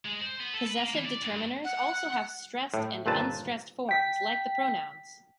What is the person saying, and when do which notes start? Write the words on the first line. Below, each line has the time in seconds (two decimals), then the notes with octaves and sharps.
Possessive determiners also have stressed and unstressed forms, like the pronouns.
0.05 G#3
0.21 C5
0.40 B3
0.54 A4
0.67 B4
0.80 A#3
0.94 E3
1.06 D5
1.23 G2
1.64 F#5
2.74 A2
3.06 G1 D#2 A#2 C4 B4 A5
3.89 G5 B6